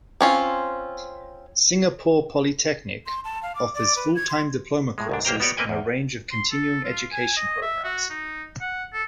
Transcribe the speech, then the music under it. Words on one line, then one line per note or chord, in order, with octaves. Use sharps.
Singapore Polytechnic offers full-time diploma courses and a range of continuing education programmes.
C4 C#4 F4
C6
A5
F5
D6
D5
B4
G#6
C6
A2 G#3
C2 G#2 D4
B1 A#3 G4 C5 G5 A#5
B3 F#4 G4 C#5 D5 F#5
A#3 C4 B4 D#5 G5 G#5
E2
C6
A4
F4
G#5
D#5
E5
F#4
D#4
F#5
A4